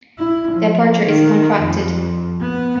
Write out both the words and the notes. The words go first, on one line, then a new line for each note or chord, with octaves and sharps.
The aperture is contracted.
E4
F3
D#3
F2
B3